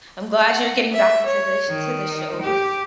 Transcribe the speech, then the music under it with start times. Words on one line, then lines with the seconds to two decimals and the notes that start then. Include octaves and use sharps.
I'm glad you're getting back into the sh to the shows.
0.48 F#5
0.94 E5
1.26 C#5
1.70 D#3
2.41 G4